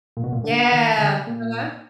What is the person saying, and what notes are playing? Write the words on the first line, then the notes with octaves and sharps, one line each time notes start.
Yeah. Uh-huh.
A#2
B2
A#2
D3
D#3
D3
A#2